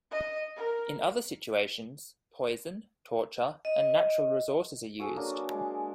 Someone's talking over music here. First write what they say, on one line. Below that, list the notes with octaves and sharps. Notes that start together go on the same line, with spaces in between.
In other situations, poison, torture and natural resources are used.
D#5
A#4
D#5
F#4 G#4 A4 C5
F#3 A#3 D4
G#3